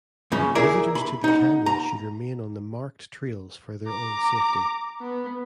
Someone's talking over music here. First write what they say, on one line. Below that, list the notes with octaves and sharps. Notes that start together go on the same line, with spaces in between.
Visitors to the canyon should remain on the marked trails for their own safety.
F#2 C#3 F3
E4 G#4 A#4 D5
B5
D#4 F#5
A#5
A#5 D6
B3